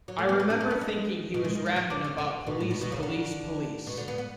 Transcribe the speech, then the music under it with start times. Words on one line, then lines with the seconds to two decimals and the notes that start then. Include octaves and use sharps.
I remember thinking he was rappin' about police, police, police.
0.08 F#3
0.19 A3
0.29 B3
0.40 C#4
0.50 D4
0.60 C#4
0.71 B3
0.81 G#3
1.34 B2
1.44 G#3
1.55 G#3
1.66 F#3
1.76 F#3
1.90 D4
2.04 C#4
2.18 D3
2.47 B2
2.60 A2
2.71 B2
2.81 B2
2.92 C#3
3.03 D3
3.87 B2
3.97 D3
4.08 B3
4.18 B3